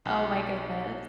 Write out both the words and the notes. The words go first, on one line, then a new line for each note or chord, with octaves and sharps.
Oh my goodness.
B1